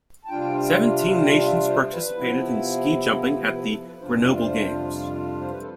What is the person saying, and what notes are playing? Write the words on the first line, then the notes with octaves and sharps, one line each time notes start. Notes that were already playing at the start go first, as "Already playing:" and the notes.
Seventeen nations participated in ski jumping at the Grenoble Games.
A5
C3 G3 D4 F4 G5
G5
F5
E5
C5
B4
C3 F3 B3 E4
A4
C5
B4
B4
A4
B4
F2 C3 G3 D4 F4 C5
G4
A4
B4
C5
C5
B4
A4